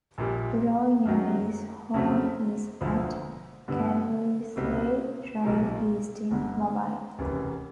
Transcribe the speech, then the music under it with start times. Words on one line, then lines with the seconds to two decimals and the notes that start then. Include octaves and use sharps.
Roy Neary's home is at Carlisle Drive East in Mobile.
0.18 A#1 A#2 G3
1.06 F#2 D#3 F#3
1.94 F2 C#3 F#3 A3 C4
2.81 E1 D2 D3 F3
3.68 G2 D3 G3 B3
4.56 C#2 B2 G3 C4 E4
5.44 B1 A#2 G3 A#3 D#4
6.30 G1 G2 D3
7.18 F1 D#2 C#3 E3